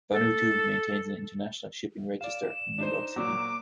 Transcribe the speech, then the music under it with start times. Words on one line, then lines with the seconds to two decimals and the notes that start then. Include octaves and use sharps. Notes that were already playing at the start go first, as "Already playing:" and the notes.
Vanuatu maintains an international shipping register in New York City.
0.12 A4
2.21 D5 F5 E7
2.78 D4 D#4 C5
3.16 A#2 F#3 D6